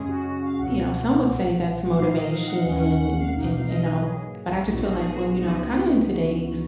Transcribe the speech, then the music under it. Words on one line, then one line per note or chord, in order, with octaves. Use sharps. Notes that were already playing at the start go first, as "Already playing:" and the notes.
you know, some would say that's motivation and and and all, but I just feel like, well, you know, kinda in today's
Already playing: F#2 C#3 G#3 C#4 G#4
F#4
F#4
F5
C#2 B2 F#3 F#5
B1 A#2 F#3
A#2 F3 G#3 D#4 F5
F5
D#5
F5
F#5
D#2 D#3 G#3 C#4 F#5
F#5
F#5
F5
B1 B2 A#3 D#4
F5
D#5
B4
G#2 F#3 A#3 G#4
A#1 A#2 F#3 B3 D#4 F#4
G#4
F#4
G#4
F#4
C#2 C#3 G#3 B3 D#4 F#4